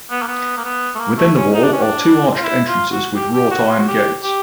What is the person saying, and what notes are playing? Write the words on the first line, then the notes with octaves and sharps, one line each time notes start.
Within the wall are two arched entrances with wrought iron gates.
B3
A#3
B3
A#3
B3
A3
A#3
A3
C#4
D#4
D4
C#4
D4
F4
E4
F4
F#4
G4
G4
F#4
F4
F#4
G4
G4